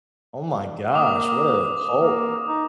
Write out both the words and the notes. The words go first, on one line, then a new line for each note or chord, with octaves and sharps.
Oh my gosh, what a hulk.
A#3 D6 D#6
A#3
D#4